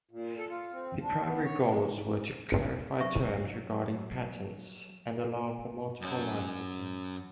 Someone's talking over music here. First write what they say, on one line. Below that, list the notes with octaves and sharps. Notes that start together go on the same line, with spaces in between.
The primary goals were to clarify terms regarding patents and allow for multiple licensing.
A#2
A4
F4
C4
D4
B3
C#5
G#3
F#3 E5 C#6
F#2 C#4